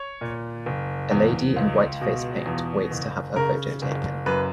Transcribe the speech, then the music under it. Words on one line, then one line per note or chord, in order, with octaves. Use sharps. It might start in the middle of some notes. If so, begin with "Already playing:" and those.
A lady in white face paint waits to have her photo taken.
Already playing: C#5
A#2
F#1
E2
C#2
B2
E2
F#1
C#3 A#4
F#1
F#2 B4